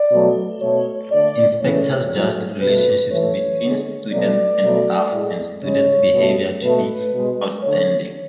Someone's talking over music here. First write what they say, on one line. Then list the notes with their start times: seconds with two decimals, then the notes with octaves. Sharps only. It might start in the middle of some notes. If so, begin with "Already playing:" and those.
Inspectors judged relationships between students and staff and student behaviour to be "outstanding".
Already playing: D5
0.11 B2 F#3 A3
0.61 B2 A3 C#5
1.12 D3 A3 D5
1.61 C#3 E3 A3 C#5
2.12 A2 F#3 A3
2.62 B2 A3 B4
3.12 A2 E3 A3 C#5
3.62 D3 G#3
4.12 B2 F#3 A3 D5
4.63 B2 F#3 A3
5.13 A2 G#3
5.63 C#3 G#3 C#5
6.13 B2 A3
6.63 B2 A3 B4
7.13 B2 G#3
7.63 D3 A3 C#5